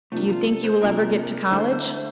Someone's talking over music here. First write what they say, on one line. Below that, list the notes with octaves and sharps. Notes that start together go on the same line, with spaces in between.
"Do you think you will ever get to college?"
C3 F3 A3 A#3 D4
F4
A4
C5
C3 F3 A#3 D4 A#4
D3 A3 E4 C5